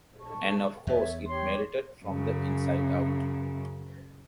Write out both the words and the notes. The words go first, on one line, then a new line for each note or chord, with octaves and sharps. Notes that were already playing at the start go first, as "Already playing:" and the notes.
And of course it melted from the inside out.
A5 C#6
E2 B3 C#5 E5
G4 C#5 C6
F#2 C#3